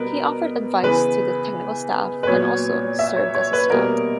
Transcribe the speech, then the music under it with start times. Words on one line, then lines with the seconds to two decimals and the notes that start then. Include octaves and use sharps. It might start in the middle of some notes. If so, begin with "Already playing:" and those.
He offered advice to the technical staff and also served as a scout.
Already playing: B2 G3 B3 A#4 B4
0.83 C#3 E3 B3 B4
2.23 B4
2.26 A#2 F#3 B3 C#5
2.99 E5
3.16 C#5
3.35 C#5
3.53 B4
3.70 B2 G3 A#3 A#4